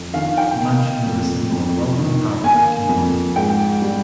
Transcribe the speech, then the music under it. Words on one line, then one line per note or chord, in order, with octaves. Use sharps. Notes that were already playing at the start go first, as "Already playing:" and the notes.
The mansion was a symbol of wealth and power in the community.
Already playing: F2
D#3 F5
G5
A#3
F2
F2
D#3
A#3 G#5
F2
G#2 G5
G3